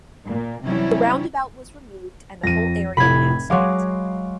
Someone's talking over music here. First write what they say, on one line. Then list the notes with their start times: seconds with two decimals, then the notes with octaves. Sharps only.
The roundabout was removed and the whole area landscaped.
0.26 A#2
0.65 C3 E3 F#3 G3 C#4 E4
2.43 F2 A#6 D#7
2.97 F1 A2 B5 G#6
3.50 F#3 G#3 F5 C6 D6